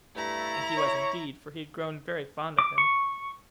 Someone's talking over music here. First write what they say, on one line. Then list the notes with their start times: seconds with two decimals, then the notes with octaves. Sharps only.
And he was indeed, for he had grown very fond of him.
0.15 G2 A3 E4 A#5
0.77 C#5 C#6
2.59 D6
2.78 C#6